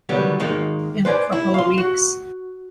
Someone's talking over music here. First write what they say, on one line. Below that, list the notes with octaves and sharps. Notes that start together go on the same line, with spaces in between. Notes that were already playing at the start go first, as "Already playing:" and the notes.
in a couple of weeks.
D3 D#3 F#3 G3 B3
D#3 G#3 A#3 D#4
B4 C5 D5 G#5
E4
F5 C6
F#4